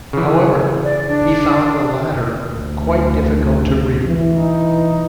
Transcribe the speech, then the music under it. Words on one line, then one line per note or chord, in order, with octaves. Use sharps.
However, he found the latter "quite difficult to read".
C#3 E3
D5
D4
D2
E3
D#4